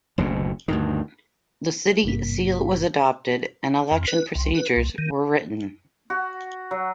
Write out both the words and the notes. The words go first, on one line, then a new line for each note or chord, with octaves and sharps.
The City Seal was adopted, and election procedures were written.
F#1 D2 B2
D2 G2 D#3
G#1 G2 C3 A#3 B6
F2
B4
C2
B4
C2
D#3
F#4
F#3